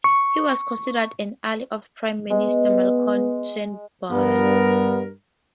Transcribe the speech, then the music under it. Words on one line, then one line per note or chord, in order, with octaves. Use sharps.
He was considered an ally of Prime Minister Malcolm Turnbull.
C#6
G#3 B3
G2 B3 A#4